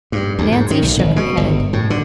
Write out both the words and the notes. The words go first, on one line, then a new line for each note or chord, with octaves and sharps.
Nancy shook her head.
G2
D2
G#2
D#3
B1
G#1
B2
G1
A2
D3